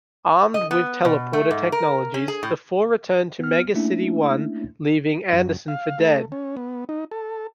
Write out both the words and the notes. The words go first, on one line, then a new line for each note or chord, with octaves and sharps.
Armed with teleporter technologies, the four returned to Mega-City One, leaving Anderson for dead.
D#5
B3
B2
A3
G#2
A#4
C#4
G#4
A2
B3 F6
A3 A#3 C#4 D4 E4 E5
F#2
F5
A3
C#4
B3
D#4
A4